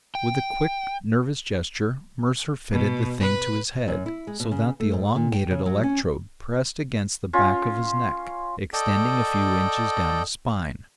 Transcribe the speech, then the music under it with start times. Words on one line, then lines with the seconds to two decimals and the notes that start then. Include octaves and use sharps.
With a quick, nervous gesture, Mercer fitted the thing to his head, so that the elongated electrode pressed against the back of his neck, extending a few inches down his spine.
0.15 G5
2.72 B2
3.19 B4
3.88 F#2
4.06 E4
4.27 G#3
4.40 B2
4.51 C#3
4.80 A3
4.92 G#2
5.16 A#2
5.32 G5
5.51 C#3
5.66 F#3
5.83 C#4
7.33 C#4 F4
8.73 A4 D5 D#5 G5